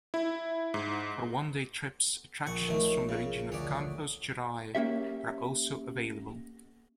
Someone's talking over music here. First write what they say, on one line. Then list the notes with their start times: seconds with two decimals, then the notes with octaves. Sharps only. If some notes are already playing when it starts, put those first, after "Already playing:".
For one day trips, attractions from the region of Campos Gerais are also available.
0.14 E4
0.74 G#2
2.47 A#1 F#5 C#6
2.68 D#3 F#3 A3
3.09 C#3
3.52 D2 C#5 D5
4.75 A#3 C#4 G4 E5